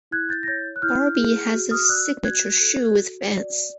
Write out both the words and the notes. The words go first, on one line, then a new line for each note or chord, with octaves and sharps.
Barbee has a signature shoe with Vans.
E4 F#6 G#6
G6 A6
A#6
C#5 G6 A6
F#6
E4 F6 G6
G#4
F#4
D#6 F6
D5 E6 F#6
F#4 F#6 G#6
A4
F#4
D5